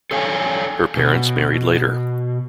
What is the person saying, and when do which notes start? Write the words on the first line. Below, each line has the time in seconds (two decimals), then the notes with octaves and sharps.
Her parents married later.
0.11 A4 C#5 F5 G5 G#5
0.97 B2